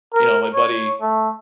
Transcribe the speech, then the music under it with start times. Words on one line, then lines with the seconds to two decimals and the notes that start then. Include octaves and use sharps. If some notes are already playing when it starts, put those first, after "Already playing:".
you know, my buddy,
0.14 A#4
0.54 C#5
1.02 A3